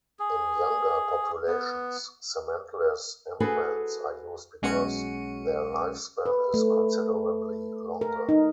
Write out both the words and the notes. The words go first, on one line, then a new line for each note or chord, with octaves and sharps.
In younger populations, cementless implants are used because their lifespan is considerably longer.
G#4
B3
F#4 G#4 A4 B4 C5
B1 G#3 C#4 F#4 C#7 D#7
B4
A3
A#4
D#4